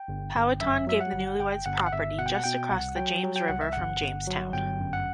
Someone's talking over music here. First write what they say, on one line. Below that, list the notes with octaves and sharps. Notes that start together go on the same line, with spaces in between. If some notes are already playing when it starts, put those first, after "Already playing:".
Powhatan gave the newlyweds property just across the James River from Jamestown.
Already playing: G5
G1
G1
F#2 E5
F#3 E5
F#5
G1
G1 G5
G1 F#5
F#5
G1 E5
B2 F#5
G5
F#5
B2 G5
C2 F#5
F#3 G5
F#3
G5
C2 F#5
E5
G1 F#5
G1
F#3
G1 G5
F#2
F#5